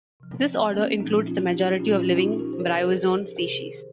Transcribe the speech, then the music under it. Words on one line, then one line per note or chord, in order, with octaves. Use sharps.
This order includes the majority of living bryozoan species.
C3 F3
C4
A#3 C#4
A#2 F3 C4 D#4
C#4 F4
D#4 G4
G4
A#2 F3 C#4 F4
C#4 F4
F4
D#4 G4
G4 A#4
C5
C3 F3 A#4 C#5
G#4 C5
G4 A#4
C3 D#3 G#4 C5